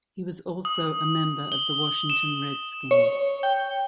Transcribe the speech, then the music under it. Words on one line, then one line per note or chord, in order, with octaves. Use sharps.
He was also a member of the Washington Redskins.
D#6
G7
E7
C#5
G5